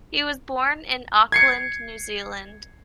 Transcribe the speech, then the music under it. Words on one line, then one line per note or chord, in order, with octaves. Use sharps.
He was born in Auckland, New Zealand.
G#6 C7 C#7